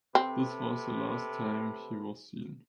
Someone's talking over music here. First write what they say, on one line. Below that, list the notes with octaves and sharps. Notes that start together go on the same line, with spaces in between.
This was the last time he was seen.
C3 C4 A4 B4